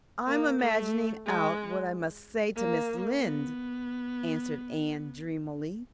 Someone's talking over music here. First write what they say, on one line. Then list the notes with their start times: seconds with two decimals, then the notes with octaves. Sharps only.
"I'm imagining out what I must say to Mrs. Lynde," answered Anne dreamily.
0.26 A#3
0.60 A3
1.25 G#3
2.55 A#3
3.21 B3